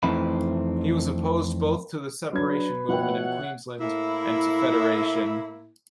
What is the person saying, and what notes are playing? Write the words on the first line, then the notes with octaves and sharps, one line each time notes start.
He was opposed both to the separation movement in Queensland and to federation.
F2 E3 A3 C4 D#4 B5
F#3 D4 B4 G#6
B2 F3 C#5 E5 F#5 G5
A2 A#3 E4